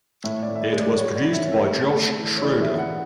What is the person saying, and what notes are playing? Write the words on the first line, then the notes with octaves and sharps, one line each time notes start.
It was produced by Josh Schroeder.
A2 E5
D5
A2
E5
D5
G#3
D5
F#3 C#5
D5
E4
E5
C#4
E5
A3
A3
E3
C#5
E3 D5
E5
E3
F#5